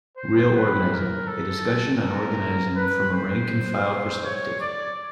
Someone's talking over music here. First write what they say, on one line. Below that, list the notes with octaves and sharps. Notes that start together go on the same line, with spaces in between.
Real Organizing: A discussion on organising from a rank and file perspective.
C5
B4
A#4
A4
A#4
B4
C5
C#5
D5